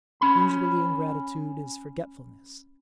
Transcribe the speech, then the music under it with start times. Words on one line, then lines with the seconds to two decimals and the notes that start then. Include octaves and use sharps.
Usually, ingratitude is forgetfulness.
0.21 C#4 B5